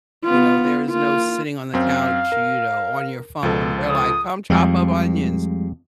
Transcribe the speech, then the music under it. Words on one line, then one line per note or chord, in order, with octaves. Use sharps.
You know there is no sitting on the couch you know on your phone. They're like, "Come chop up onions,
B3 F4
A#3 F4
F#2 C4 F5
A#4
C#2 F3 A4
D#6
F2 F3 G3 G#3